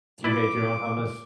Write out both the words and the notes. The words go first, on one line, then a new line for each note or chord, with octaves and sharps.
Do you make your own hummus?
E4 B4 D5 D6